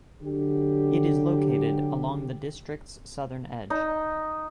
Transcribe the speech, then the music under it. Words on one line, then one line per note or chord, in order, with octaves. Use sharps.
It is located along the district's southern edge.
D3 F#3 G4
D#4